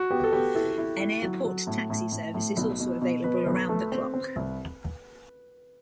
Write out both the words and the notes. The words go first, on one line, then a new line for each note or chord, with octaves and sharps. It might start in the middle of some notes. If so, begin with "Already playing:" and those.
An airport taxi service is also available around the clock.
Already playing: F#4
B3 G4
A4
B3 G4
E4 A4
E4
E4
F#3
F#3
A2
A2
A2
A2
B1
B2
B2
B2 B4
B1
A3
C4
C4
C2